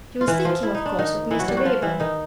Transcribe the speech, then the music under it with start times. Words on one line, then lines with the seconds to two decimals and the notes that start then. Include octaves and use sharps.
She was thinking, of course, of Mr. Raeburn.
0.21 F4
0.28 E3 E4
0.45 F3 F4
0.63 E4
0.75 D#4
0.86 D4
0.98 D#3 D#4
1.31 E3 E4
1.39 F#3 F#4
1.48 G3 G4
1.57 F#3 F#4
1.65 F3 F4
1.82 E3 E4
2.00 D#3 D#4